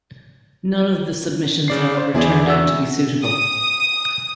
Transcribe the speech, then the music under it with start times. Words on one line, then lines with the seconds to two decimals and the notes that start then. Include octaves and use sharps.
None of the submissions, however, turned out to be suitable.
1.68 C#3 D5 C7
1.97 C5
2.15 E2 E4 G#4 D5
2.47 F#4 E5 E6
3.22 D#6